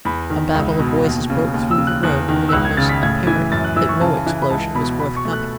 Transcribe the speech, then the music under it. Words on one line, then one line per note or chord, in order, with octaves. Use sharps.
A babble of voices broke through the room when it was apparent that no explosion was forthcoming.
E2 B5
D#3
C#2
B2
D#2
C#3
D#2
E6
C#3
F#6
E2 F#6
D#3
E6
C#2 F#6
G#6
C#3 A6
B6
A2 G#6
E3 G#6
F#2 A6
F#6
E3 E6
C#6
C#3 A5
E3
B5
C#2 A5
B2 B5
B2 B5
C#6
A3
F#6